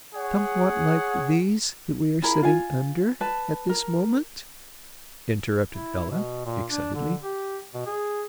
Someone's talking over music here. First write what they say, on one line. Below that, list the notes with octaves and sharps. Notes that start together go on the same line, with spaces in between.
"Somewhat like these that we are sitting under at this moment?" interrupted Ella excitedly.
G#4 C#5 F#5
E4 G#4 A#4 B5
F4 F5 G#5
B4 A5
A#4
E4
B2
A#2
D4
D3
G4
B2
G#4